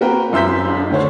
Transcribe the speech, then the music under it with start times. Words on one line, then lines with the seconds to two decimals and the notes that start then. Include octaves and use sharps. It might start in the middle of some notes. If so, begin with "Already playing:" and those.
Oh gosh.
0.01 A#3 C4 F#4 A#4 B4 G5
0.33 F#2 C6 E6 G6 B6
0.90 D2 D3 C5 C#5